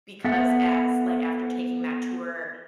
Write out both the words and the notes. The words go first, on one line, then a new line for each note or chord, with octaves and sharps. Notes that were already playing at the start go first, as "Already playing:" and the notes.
because as like, after taking that tour
B3 A4 E5 F#5